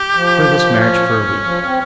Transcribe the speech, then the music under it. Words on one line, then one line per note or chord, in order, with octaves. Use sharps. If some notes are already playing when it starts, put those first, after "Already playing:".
Defer this marriage for a week.
Already playing: G4
F3
C#4
F3
C4